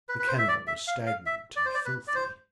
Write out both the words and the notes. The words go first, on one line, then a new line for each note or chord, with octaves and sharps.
The kennel was stagnant and filthy.
B4
B4
C5
E5
D5
E5
F5
F5
E5
D5
C5
D5
B4
D5
C5